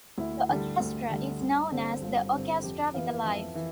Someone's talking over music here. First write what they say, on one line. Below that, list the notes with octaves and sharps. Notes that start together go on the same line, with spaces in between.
The orchestra is known as The Orchestra with a Life.
D2 E4
D3 G3
D2
D3 G3
G1
G2 D3 G3 C4
G1 F4
G2 D3 G3 C4
F2 G4
E3 B3 F5
F2 E5
E3